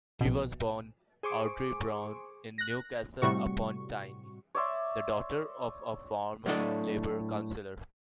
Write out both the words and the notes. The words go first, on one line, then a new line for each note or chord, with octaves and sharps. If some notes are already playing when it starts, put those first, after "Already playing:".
She was born Audrey Brown in Newcastle-upon-Tyne, the daughter of a former Labour councillor.
A#1 B2
G#4 C5 C#6 D6
F#6 A#6
A2 C3 G3 F#4 C#6
C#5 D5 E5 C6
A2 F#3 A3 D4 D5 D#5